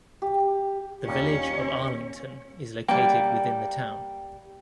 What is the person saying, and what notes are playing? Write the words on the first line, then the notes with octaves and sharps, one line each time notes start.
The Village of Arlington is located within the town.
G4
D#2 A#2 G3 C#4
G3 A#3 G5